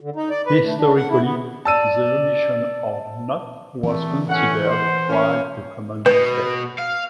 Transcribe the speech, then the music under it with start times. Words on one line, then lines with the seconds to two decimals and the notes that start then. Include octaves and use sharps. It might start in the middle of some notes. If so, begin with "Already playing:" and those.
Historically, the omission of "not" was considered quite a common mistake.
0.01 D3
0.16 D#4
0.30 D5
0.46 B4
0.65 A3
0.78 D4
0.96 F#5
1.10 E4
1.23 B3
1.65 D5 A5 E6 D#7
3.83 E3 A3 C4
4.29 A2 C#4 F#5
4.67 C5
5.09 A#3 C#4
6.06 B2 B4
6.78 F5